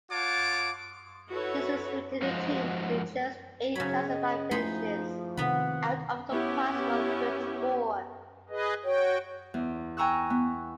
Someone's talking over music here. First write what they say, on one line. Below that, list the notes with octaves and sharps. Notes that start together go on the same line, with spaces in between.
This restricted the team to just eight classified finishes out of a possible thirty-four.
F4 C#5 F#5 A5 D6
E4 F#4 A4 B4 C#5
G#2 F3 F4 F#4 C5 D#5
C#3 F#3 C#5 B5
C#4 D#5
F3 A3 D#4 E4 G#4 B5 C6
C3 D#3 B3 B4 F#5 B5
B3 C#4 E4 G4
G#4 B4 D#5
F#4 C#5 G5
E2
G5 G#5 A#5 C#6 E6 F#6
B3